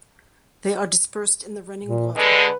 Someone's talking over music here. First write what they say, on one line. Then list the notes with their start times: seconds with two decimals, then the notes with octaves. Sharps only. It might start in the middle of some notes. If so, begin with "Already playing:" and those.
They are dispersed in the running water.
1.84 A#2
2.16 D3 G#3 B4